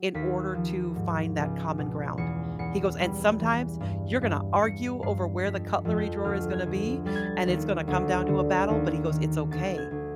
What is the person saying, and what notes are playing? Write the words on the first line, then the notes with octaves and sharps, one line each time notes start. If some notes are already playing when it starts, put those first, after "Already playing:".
in order to find that common ground." He goes, "And sometimes, you're gonna argue over where the cutlery drawer is gonna be, and it's gonna come down to a battle," but he goes, "It's okay,
Already playing: F#3
D#2 B6
F3
G#2
C#2
B2
E2 C#7
E2 C#7
G3
E3
G2
G2
G2 C#7
G2 C7
F2 A#6 B6
F2
G6
D2 F6
G#6
D2
G3 A6
G#6
A6
D#2
D2
D3
D#2
D#3
D2 A6
G#6
D2